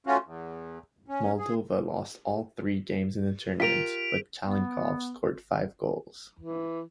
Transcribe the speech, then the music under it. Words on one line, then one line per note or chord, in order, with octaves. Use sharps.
Moldova lost all three games in the tournament, but Calincov scored five goals.
A3 C#4 F4 F#4
E2
C#4
G#4
F4 G4 A#4 B6 D7 F7
B3
E3